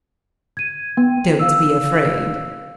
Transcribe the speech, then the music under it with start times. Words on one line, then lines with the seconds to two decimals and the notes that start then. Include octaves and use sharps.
"Don't be afraid."
0.57 G#6 D#7
0.97 B3 G5
1.39 F5 E6